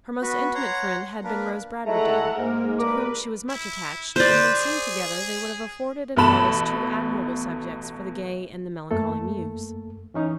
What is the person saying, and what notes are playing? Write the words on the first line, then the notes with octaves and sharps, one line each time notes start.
Her most intimate friend had been Rose Bradwardine, to whom she was much attached; and when seen together, they would have afforded an artist two admirable subjects for the gay and the melancholy muse.
B3 F#4 B4
C#5 F#5 A#5 C6
A#3 D4 A#4 B4
G#3 A3 E4 A4 F#5 A#5
G#2 G#3 A#3 A#4
G2 A#4 B4 D6
E4
B4 C5 D5
G#4
A1 B2 A4 B5 E7
F#2 A3 A#3 A4
E3 C#4 D#4